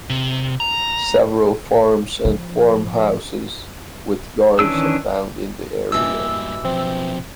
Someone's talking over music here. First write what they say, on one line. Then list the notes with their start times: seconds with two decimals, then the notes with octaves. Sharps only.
Several farms and farmhouses with yards are found in the area.
0.10 C3
0.60 A#5
2.25 F3
4.59 D#3 E3 C#4 D4 E6
5.92 G2 B2 E3 A#3 G4 E6
6.65 B1 F3 C4